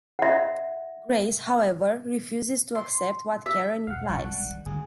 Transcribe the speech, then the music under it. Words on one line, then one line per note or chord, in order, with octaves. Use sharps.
Grace, however, refuses to accept what Karen implies.
E5 F#5
C6
E5
E2 B2 F5 F#5
B1 F2 F#3 G3 A5 C#6
E1 G3 F#5
D#3
G1 D2 G#2 G#4